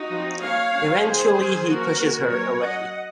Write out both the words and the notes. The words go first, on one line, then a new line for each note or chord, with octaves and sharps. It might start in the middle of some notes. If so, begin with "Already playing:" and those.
Eventually he pushes her away.
Already playing: D#4 F#4
F3 C4
F#3 A#3 C#4 C#5 F5
F#3 C#4
D#3 G#3 C4 G#4 C5
D#3 F#3 C#4
F3 A#3 C#4 F#4 A#4
D#3 A#3 C#4
F#3 A#3 C#4 A#4 C#5
F#3 C#4 D#5 F#5